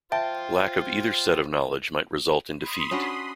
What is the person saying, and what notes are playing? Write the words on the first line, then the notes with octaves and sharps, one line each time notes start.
Lack of either set of knowledge might result in defeat.
F4 C5 E5 G5 A5
B5 C6 D#6
C#4 D4 F#4